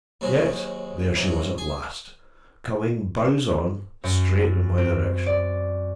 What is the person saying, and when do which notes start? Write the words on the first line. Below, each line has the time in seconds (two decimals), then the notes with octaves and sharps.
Yet there she was at last--coming bows on, straight in my direction.
0.21 D#2 G#2 F#3 G#3
1.16 G#2 E3 F#3
1.58 G#4
3.25 E7
4.04 F#2
4.78 C4
5.26 D5